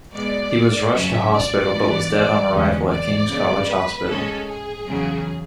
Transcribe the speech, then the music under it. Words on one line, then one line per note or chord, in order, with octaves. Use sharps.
He was rushed to hospital but was dead on arrival at King's College Hospital.
B2 G#3 B3 D5
F#2 C#3 F#3 A3 C#4 E5
D5
G#2 E3 B3
E2 D3 G#3 C#4
D5
C#3 G#3 B3
B4
A2 G#3 C#4 A4
G#4
E2 C#3 F#3